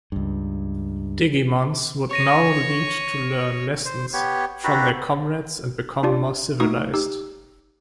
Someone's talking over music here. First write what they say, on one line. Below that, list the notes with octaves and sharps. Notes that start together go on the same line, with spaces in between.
Digimons would now need to learn lessons from their comrades and become more civilized.
C#2 G2
C#5 C#6 A#6 D#7
C5
B3 G4 C#5
D4 E4 F#4 G4 B4 A#5
D4 F4 G4 D5
A3 D#4 F#4 A#5 C#6 D#6
D#4 G4 E6